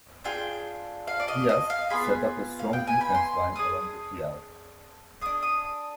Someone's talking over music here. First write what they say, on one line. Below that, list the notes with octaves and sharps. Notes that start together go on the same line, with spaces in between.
Diaz set up a strong defense line along the Piave.
D4 F4 G#4 G5
F5
D5
D#5
D#5
F5
B3 F4 G#4 B5
F5
G5
G#5
B5
C6
D4 G#4 D#6
D4 G#4 D#6
D#6